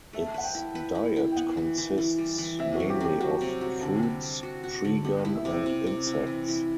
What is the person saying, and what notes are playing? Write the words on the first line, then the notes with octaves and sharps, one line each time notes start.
Its diet consists mainly of fruits, tree gum and insects.
A3 E5
B4 F#5
G5
E4
B4
E4
E4
G5
B3 F#5
E3
E3
E3
G3
E3
C3 E5
F#4
F#3
G4
F#3 G4
F#3 F#4
C3
F#3
D3
G3
G3
F#4
F#4
D3
B3 G4
E4
E5
C3
C3
C3
E4
E3
E4